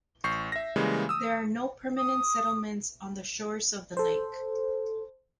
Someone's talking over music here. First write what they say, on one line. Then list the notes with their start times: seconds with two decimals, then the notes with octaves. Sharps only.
There are no permanent settlements on the shores of the lake.
0.24 A1 C#6 G6 C7
0.52 E5 A#6
0.76 C#3 E3 G3 G#3 A#3
1.09 D#6 E6
1.97 D#6
3.97 A4 C5